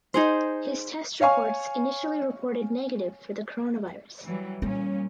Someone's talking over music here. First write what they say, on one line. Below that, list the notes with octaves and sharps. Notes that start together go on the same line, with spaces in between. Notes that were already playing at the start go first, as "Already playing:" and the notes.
His test reports initially reported negative for the coronavirus.
D#4 G#4 C5
C#5 F5 G#5 C#6
E3 F#3 G3
A#2 G3 C#4